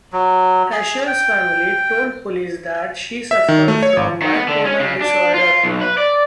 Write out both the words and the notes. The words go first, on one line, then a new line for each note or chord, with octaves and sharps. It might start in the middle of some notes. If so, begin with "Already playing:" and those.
Asher's family told police that she suffered from bipolar disorder.
F#3
G#4
G5
E5
D#3
A3
C#5
G#1
D#3
B3
D3
C#4
C#3
D4
F4
B1
B4
D5